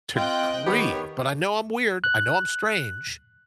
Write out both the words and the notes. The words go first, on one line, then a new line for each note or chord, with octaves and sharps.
to grieve, but I know I'm weird, I know I'm strange.
C4 F4 D#5 G5 F#6
D#3 B3 G4 C#5
F#6